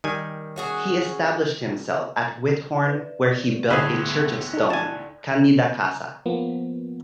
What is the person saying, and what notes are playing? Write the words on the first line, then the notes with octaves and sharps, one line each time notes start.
He established himself at Whithorn where he built a church of stone, "Candida Casa".
D#3 G3 G#5
C#4 F#4 G#4
B4 D5 E5
D2 A2 D3 G3 B3 G#4 B4
D#4 A4 D5
G#5 A5
F3 A#3 B3